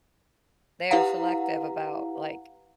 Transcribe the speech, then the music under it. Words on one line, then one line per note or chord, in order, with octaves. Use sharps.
they are selective about, like,
E4 G4 B4 F5 F#5 A#5